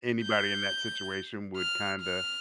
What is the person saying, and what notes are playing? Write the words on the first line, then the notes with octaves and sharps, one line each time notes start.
anybody in that situation would kinda
G6
F6
F6